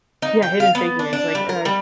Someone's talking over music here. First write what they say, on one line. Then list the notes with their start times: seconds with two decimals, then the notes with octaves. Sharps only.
Yeah, Hidden Figures, like, uh,
0.22 D#4
0.42 G5
0.60 F5
0.75 B3
0.99 D4
1.13 D4
1.35 G3
1.49 A#4
1.65 G3